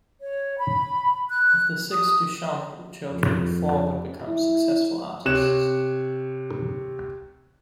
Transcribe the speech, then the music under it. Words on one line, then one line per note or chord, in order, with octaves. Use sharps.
Of the six Duchamp children, four would become successful artists.
C#5
B5
F#6
D#6
F2
E4
C3 C#5 F#6 E7